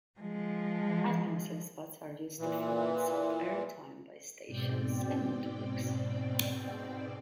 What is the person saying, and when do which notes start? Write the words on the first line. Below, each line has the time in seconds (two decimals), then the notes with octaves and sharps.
Ad Council spots are used to fill unsold air time by stations and networks.
0.20 F3 G#3
2.39 A#2 E3
4.47 G#2 B2 C4 D5 G5